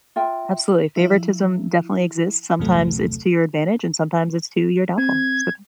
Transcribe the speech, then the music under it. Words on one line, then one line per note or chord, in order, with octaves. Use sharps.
Absolutely, favoritism definitely exists, sometimes it's to your advantage, and sometimes it's to your downfall, so.
F4 E5 G5
F3 E4
A#1 E2 G2 C3 F#3 A3
C4 G#6